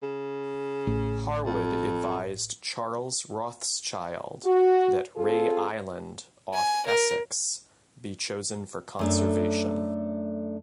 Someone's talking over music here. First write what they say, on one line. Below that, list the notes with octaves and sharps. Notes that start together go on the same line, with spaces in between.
Harwood advised Charles Rothschild that Ray Island off Essex be chosen for conservation.
C#3
A1
F2
F#4
C4 F4 G#4 A4
G#5
A#4
F#2 A3 D4